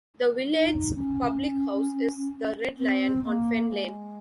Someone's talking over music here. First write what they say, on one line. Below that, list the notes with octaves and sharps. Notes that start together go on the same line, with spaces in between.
The village's public house is the Red Lion on Fen Lane.
D#4
C#4
C4
A#3
G#3